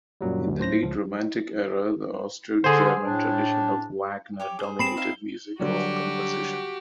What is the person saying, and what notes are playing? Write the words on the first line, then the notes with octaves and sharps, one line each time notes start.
In the late Romantic era, the Austro-German tradition of Wagner dominated musical composition.
F#2 A#2 F#3 G3
D2
A2 C5 A#6
C#2 F3
D3 G#4 C5
A2 D4
G4 C#5 D6
G#4 C5
C4 B5 C7 E7
D#4 E5 F5
D3 F#3 G3 F#4 G4